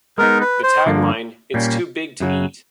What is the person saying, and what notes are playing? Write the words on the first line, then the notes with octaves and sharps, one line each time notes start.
The tag line It's too big to eat!
G#3 B3 D#4 A#4
B4
C5
G2 D3 F3 A#3
A#2 G3 A#3 C#4
F#2 C#3 F#3